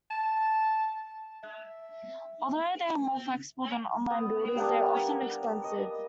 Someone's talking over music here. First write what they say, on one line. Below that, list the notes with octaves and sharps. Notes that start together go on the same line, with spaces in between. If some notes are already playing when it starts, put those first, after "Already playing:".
Although they are more flexible than online builders, they are often expensive.
A5
E5
B3
G3 A#3 B3 D4
D#5